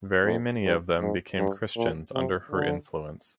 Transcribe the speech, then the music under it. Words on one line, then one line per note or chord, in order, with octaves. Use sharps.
Very many of them became Christians under her influence.
F2
G2
G#2
G2
A#2
C3
D3